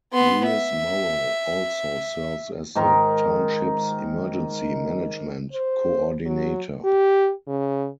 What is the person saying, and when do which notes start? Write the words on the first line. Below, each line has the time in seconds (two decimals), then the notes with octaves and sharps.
Lewis Morrow also serves as the township's emergency management coordinator.
0.13 B3 C6
0.46 E5
2.75 G#2 D#3 A#4
5.53 C5
6.26 F#3
6.85 G4
7.48 C#3